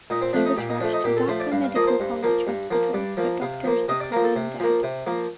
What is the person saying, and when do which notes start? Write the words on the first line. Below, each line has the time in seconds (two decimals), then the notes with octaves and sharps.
He was rushed to Dhaka Medical College Hospital but doctors declared him dead.
0.10 A#2 D#4
0.22 C4
0.33 F3 A3 D4
0.46 D#4
0.57 A#2 G4
0.69 D#4
0.80 F3 A3 D4
0.93 D#4
1.04 A#2 G4
1.17 A4
1.28 F3 A3 C5
1.40 D5
1.52 G2 F5
1.64 F5
1.75 F3 A#3 D#5
1.87 C5
2.00 G2
2.23 F3 A#3
2.47 G2
2.71 F3 A#3
2.93 G2 D5
3.17 F3 A#3
3.41 C3 F5
3.64 F3 A#3
3.88 C3 D#5
4.00 D5
4.12 F3 A#3 A#4
4.24 A4
4.36 C3
4.60 F3 A#3
4.83 C3
5.07 F3 A#3